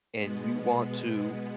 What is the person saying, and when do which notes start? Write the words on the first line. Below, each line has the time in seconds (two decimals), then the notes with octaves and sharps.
and you want to,
0.17 B2 G#3 B3